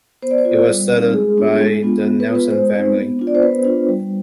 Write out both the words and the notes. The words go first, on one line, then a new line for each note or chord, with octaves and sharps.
It was settled by the Nelson family.
B3 C5
D5
C5
F4
G3
C4 D#4
G#3 G#4
B3 D4 F4
G#3
B3 D4 F4
B3
B4
F4
B4
G#3 C5
C4 D#4
B3
D4 F4
D5
C5
B3 B4
D4 F4
G3